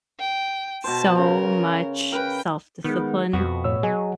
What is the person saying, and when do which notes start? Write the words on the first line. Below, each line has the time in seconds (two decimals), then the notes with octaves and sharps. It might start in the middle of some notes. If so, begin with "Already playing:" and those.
so much self-discipline
0.20 G5
0.84 B2 C5 A5
1.18 C#3 A#4
2.12 A#4 B4 G5
2.84 D#3 G#3 B3
3.33 F2 B2 B3 F#4
3.64 A2 C#5 E6
3.83 F#3 G#4 D#5 G#5